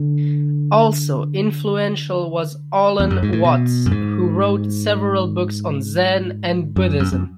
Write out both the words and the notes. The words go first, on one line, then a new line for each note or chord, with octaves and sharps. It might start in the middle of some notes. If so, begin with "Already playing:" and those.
Also influential was Alan Watts, who wrote several books on Zen and Buddhism.
Already playing: D3
E2
F#2
G#2
A2
B2
F#2
G#2
F#2
F#2
F#2